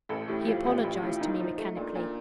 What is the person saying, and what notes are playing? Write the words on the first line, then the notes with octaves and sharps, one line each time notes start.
He apologized to me mechanically.
A1 A4
A2 G4
F3 F4
A1 G4
A1
A2
F4
A#2 D#4
F3
A3
A#2 D4
A#2